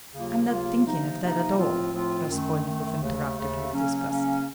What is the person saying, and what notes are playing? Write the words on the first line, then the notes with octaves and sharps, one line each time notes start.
"I'm not thinking of that at all," Raskolnikov interrupted with disgust.
D#2 C#3 F#3 A#3 F4
D#2 C#3 F#3 A#3 F4
C3 F3 A#3 D#4
C3 F3 A#3 D#4
A2 F3 A3 C4 F4
A2 F3 A3 C4 F4
F#2 D#3 A3
F#2 D#3 A3
D#2 C#3 A3
D#2 C#3 A3
C#3 F#3 A#3 C#4
C#3 F#3 A#3 C#4